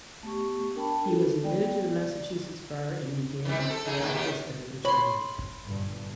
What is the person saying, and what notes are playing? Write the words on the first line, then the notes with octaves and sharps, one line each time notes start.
He was admitted to the Massachusetts Bar and began practice as an attorney.
A3 B3 G4 C#6
D4 A#4 G5 A5 B5
F#4 A4
G#3 B3 D5 G5
D5
D#3 G3
C4
A4
C#3 D#4 G#4
G#2 A#3
D#2 D#3 G4
C#5 B5 C6
G1 G2 A#2